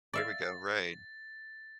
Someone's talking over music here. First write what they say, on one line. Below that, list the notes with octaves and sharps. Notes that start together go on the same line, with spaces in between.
Here we go, right.
D5 E5 F5 A6